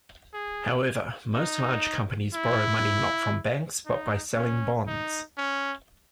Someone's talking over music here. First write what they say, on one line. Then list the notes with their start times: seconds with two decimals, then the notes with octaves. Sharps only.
However most large companies borrow money not from banks, but by selling bonds.
0.34 G#4
1.34 D#4
2.34 E4
3.86 D#4
4.36 C#4
4.87 D#4
5.38 C#4